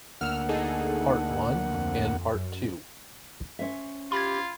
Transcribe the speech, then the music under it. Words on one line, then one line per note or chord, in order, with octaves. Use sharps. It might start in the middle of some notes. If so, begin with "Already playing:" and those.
Part One and Part Two.
D2 A#3 F#5 E6 F6
D#4 G#4 A4
F2
F#2
C#4 C5 E5
F4 G4 B5 G#6